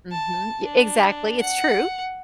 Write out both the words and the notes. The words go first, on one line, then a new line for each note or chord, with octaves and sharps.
Mhm, ye exactly, it's true.
A5
D4
F#5